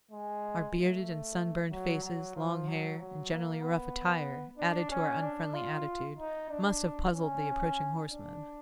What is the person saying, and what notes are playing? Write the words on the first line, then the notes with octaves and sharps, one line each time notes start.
Our bearded and sun-burned faces, long hair, and generally rough attire, added to our unfriendly attitude, must have puzzled the approaching horsemen.
G#3
A3
F#3
F#3
F3
F#3
F#3
A#3
B3
D4
C#4
D4
F4
D#4
D4
C#4
D4